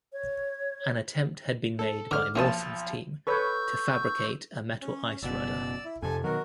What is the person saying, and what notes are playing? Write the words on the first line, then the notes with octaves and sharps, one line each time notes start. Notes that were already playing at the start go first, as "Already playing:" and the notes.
An attempt had been made by Mawson's team to fabricate a metal ice rudder.
C#5
A4
D3 D4 D6 F6
B1 F3 A#3 C#4 A5 D#6
A4 B4 C#5 C#6 E6 G6
C#4
F#1 B2 D5 E6
E4
F2 C3 A4 G#5
B2 D#3 F#3 F#4 A#4